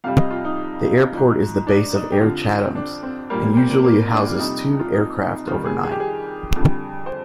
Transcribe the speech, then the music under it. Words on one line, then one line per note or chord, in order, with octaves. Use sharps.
The airport is the base of Air Chathams and usually houses two aircraft overnight.
F2 C3 G3 F5
D#5
F4
D#4
G#2 F3
D4
D#4
G4
F2 D3 F3 F4
C4
D4
C4
A#2 G3 A#3
A#3
C4
A#3
A#3
D4
F4
F2 C3 G3 D#4
F4
D#4
D#4
F2 D#3 G3 F4
G#4
G#4
G4
G#4
F2 D3 G3
C5